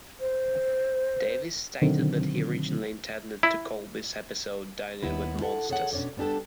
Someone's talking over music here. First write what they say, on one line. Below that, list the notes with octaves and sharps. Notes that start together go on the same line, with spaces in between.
Davies stated that he originally intended to call this episode "Dining with Monsters".
C5
B2 D3 D#3 F#3 C4
E4
D#2 B3 E4 B4
E4 A4 F#5
G#4 A4 C#5 F5 F#5
B2 C#4 D4 C#5 D5
G3 B3 D4 G4 A4